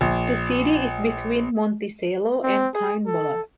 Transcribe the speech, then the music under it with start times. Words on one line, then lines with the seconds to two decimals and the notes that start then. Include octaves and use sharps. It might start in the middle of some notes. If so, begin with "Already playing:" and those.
The city is between Monticello and Pine Bluff.
0.01 A#1
2.43 C4
2.74 G#4
3.06 A4